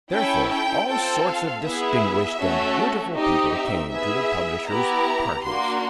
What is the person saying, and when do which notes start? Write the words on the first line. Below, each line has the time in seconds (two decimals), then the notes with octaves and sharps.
Therefore, all sorts of distinguished and beautiful people came to the publisher's "parties."
0.12 C#4 E4 A4 G5
0.49 G5
0.88 C4 F4 A4 G5
1.27 F5
1.63 B3 E4 G#4 E5
2.40 A3 C#4 F#4 A4
3.15 C4 D#4 G4 D#5
3.54 E5
3.92 B3 E4 G#4 E5
4.67 B3 E4 G4 A#5
5.43 A#3 D4 F#4 C6